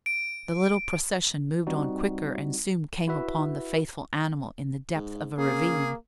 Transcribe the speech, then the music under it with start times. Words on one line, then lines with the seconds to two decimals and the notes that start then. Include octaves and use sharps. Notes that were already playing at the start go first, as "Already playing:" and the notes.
The little procession moved on quicker, and soon came upon the faithful animal in the depth of a ravine.
0.06 D7
1.67 G3 C4 D#4 F#4
3.07 E4 F#4 B4 E5
4.96 G#2
5.38 C#3 A#3 G#4